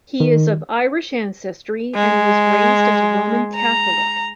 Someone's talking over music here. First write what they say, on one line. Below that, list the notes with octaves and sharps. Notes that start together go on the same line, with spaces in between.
He is of Irish ancestry and was raised as a Roman Catholic.
D#3
G#3
A#5